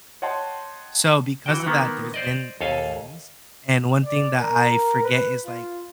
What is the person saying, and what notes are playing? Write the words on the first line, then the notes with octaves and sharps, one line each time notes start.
so, because of that, there's been names and one thing that I forget is, like,
C#5 D#5 F#5 G5 A5 C6
E3 F#4 G5
D#3 A#3 B3
C5 D5 D#5
D#2 A4 F5 G#5
D5
A#4
B4
F4